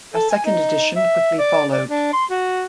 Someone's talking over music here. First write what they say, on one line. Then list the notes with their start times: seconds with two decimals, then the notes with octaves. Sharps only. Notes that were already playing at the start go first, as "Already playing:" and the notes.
A second edition quickly followed.
0.14 A4
0.30 G#5
0.46 D#4
0.96 E5
1.39 D5
1.72 D5
1.89 D4
2.13 C6
2.31 F#4